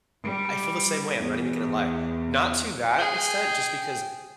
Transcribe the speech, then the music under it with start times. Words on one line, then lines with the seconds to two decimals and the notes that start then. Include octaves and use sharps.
I feel the same way, I'm not even gonna lie, not to that extent, just because
0.24 G3
1.19 E2
2.98 G#4 G5